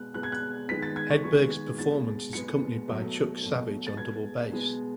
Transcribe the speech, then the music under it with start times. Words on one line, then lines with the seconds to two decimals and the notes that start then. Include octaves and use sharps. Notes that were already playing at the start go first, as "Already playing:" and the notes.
Hedberg's performance is accompanied by Chuck Savage on double bass.
Already playing: B2 G#3 B3 F#6
0.14 B2 G#3 B3 F#6
0.23 G#6
0.32 F#6
0.69 D#3 G#3 B3 B6
0.82 A6
0.96 G#6
1.10 C#6
1.24 D#3 G#3 B3 C#6
1.79 B2 G#3 B3 A6
2.33 B2 G#3 B3 C#7
2.88 B2 F#3 A3
3.43 B2 F#3 A3
3.87 A6
3.97 B2 G#3 B3 G#6
4.52 B2 G#3 B3